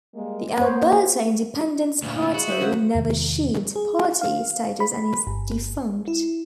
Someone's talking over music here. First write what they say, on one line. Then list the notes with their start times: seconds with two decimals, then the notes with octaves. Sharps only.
The Alberta Independence Party never achieved party status and is defunct.
0.15 G3 G#3 A#3
0.59 A#3 B3 C5 C#5
2.02 D2 A#2
2.22 F4
2.34 G#3 F#4
2.48 B4 C5 E5
2.60 C#3 F#3 F#5
2.95 E2 C3 D#3 G#3
3.76 G#4
4.21 F5
4.80 B5
5.27 G1
6.08 E4